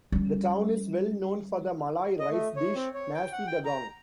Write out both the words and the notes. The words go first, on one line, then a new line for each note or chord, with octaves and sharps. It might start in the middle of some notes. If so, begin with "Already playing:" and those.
The town is well known for the Malay rice dish, "nasi dagang".
G3 C#4
D#5
A3
C#5
C4
C#5
G5
F#5
G5
A#5